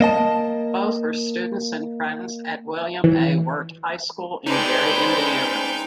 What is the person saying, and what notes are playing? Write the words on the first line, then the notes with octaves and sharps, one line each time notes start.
Both were students and friends at William A. Wirt High School in Gary, Indiana.
A#3 D#5 A5
E3
G#3 C#4 D#4 A4 B4 C5 D5 G5